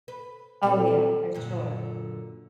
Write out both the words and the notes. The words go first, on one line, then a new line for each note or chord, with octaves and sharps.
Oh yeah, for sure.
B4
A#2 C4 A4
F#2 A#2 D3